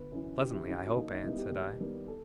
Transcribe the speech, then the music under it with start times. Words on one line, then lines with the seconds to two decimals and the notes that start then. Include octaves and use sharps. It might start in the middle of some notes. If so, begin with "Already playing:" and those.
'Pleasantly, I hope, aunt?' said I.
Already playing: G1 B4
0.12 F#2 E3
0.40 G1 G4
0.54 E4
0.67 F#2 E3 E4
0.82 F#4
0.95 D#2 D#4
1.10 D#4
1.23 D#3 G3 B3 E4
1.38 G4
1.52 D#2
1.80 D#3 G3 B3
2.08 A4